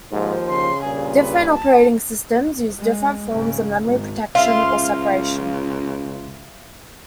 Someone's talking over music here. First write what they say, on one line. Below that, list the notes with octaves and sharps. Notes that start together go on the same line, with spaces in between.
Different operating systems use different forms of memory protection or separation.
D#2 G#2 F3
C#3 C6
G2 A#2 G#4
B4
A5
G#3
G#2 C#3
G#1
C#2 F4 E5 F5